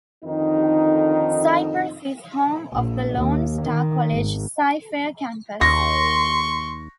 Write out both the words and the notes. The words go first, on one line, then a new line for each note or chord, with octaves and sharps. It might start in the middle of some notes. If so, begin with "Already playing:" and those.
Cypress is home of the Lone Star College-CyFair campus.
F2 D3 D#3 D#4
A#1
D#2
D#3
G#1
D#2 C6 C#6 A#6